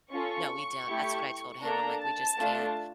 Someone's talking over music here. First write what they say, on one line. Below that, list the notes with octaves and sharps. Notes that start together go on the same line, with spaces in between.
No, we don't. That's what I told him. I'm like, "We just can't
C#4 F4 A4 C#6
A3 E4 G4
A#3 D4 A4 A#5
A5
A3 D4 F4 A4